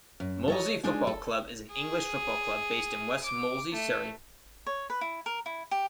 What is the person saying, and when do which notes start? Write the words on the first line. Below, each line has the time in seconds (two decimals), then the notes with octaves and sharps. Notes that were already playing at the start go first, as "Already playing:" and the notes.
Molesey Football Club is an English football club based in West Molesey, Surrey.
0.20 F#2
0.48 A4 C#5 D#5
0.84 G#3 D4 D#4 G#5
1.07 A4
1.72 G#4
3.24 D6
3.73 A3
4.66 C#5
4.90 B4
5.01 E4
5.26 A#4
5.46 E4
5.71 G4